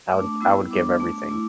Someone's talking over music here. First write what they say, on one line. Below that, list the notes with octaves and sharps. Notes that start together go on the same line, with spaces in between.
I would I would give everything.
A3 D4 D6
G3 B3 E4 E6
G3 B3 D4 D6
A3 D4
A3 E4